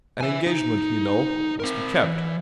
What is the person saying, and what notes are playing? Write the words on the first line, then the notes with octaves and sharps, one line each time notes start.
An engagement, you know, must be kept.
E5 G#5
D#4
C4 A#4
E3